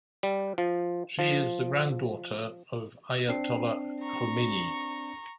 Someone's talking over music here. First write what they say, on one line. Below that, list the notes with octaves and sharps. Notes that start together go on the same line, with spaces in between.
She is the granddaughter of Ayatollah Khomeini.
G3
F3
F3
C4 D4 C7
A#5 C#6